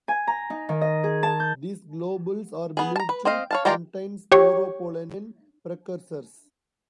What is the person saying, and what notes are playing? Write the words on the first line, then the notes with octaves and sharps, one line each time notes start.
These globules are believed to contain sporopollenin precursors.
G#5
A#5
D#4
D#3
D#5
G#4
A5
G6
B3 G#4
A5 A#5
B4
C4 C5 D#5 F5
C#5 F5 A5
G#3 F4 G4 D5 A#5
G4 C#5